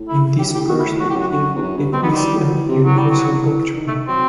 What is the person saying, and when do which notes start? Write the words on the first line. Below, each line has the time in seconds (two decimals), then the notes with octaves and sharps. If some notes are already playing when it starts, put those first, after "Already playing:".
In this perspective, this is a universal doctrine.
Already playing: A2
0.08 E4
0.39 F#2 G4
0.54 A2 G4
0.69 B2 F#4
0.79 E4
0.84 A2
1.00 A2 F#4
1.10 G4
1.16 F#2 F#4
1.31 F#4
1.56 E2
1.62 F#2
1.77 G2
1.92 B2 C4
2.03 B3
2.08 D#3
2.13 G3
2.23 E3
2.38 F#3
2.54 E3
2.69 C3
2.85 E3 F#3
2.95 E3
2.98 G3
3.06 E3 F#3
3.77 D#3
3.87 A3
4.07 F#3 C4